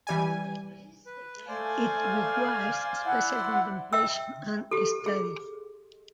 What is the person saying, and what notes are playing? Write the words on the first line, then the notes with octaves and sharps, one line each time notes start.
It requires special contemplation and study.
E3 G3 G#5
B4
A3 C5 D5 F5 G#5
E4 F#5
E5 G5 E6
G4 A4
G#4